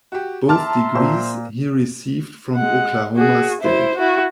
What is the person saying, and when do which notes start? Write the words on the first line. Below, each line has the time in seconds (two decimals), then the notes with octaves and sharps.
Both degrees he received from Oklahoma State.
0.12 F#4 G4
0.49 E5 A5 A#5 C6 D6 F6
0.95 A#2 C5
2.56 G#3 F#5
3.16 F#4 G#4
3.62 E4 C5
3.97 E4 F#4